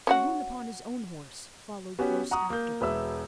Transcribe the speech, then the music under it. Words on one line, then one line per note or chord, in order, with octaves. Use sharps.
Calhoun, upon his own horse, followed close after.
C#4 F#4 F#5
B3 C#4 F#4 G4
F#5 A#5 C#6 D#6
A#3 G6
E1 B4 E5 E6